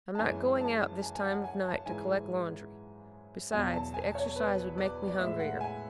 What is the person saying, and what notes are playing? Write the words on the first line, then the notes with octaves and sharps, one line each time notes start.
"I'm not going out this time of night to collect laundry; besides, the exercise would make me hungrier."
A5
F#2 E3 G#3 G#5
A5
G#5
G#5
F#5
G#5
A5
G#2 E3 G#3 G#5
E2 B2 F#3 G#5
A5
G#5
C#5
B4
D5
D5
A2 G#3 E5
F#5
G#5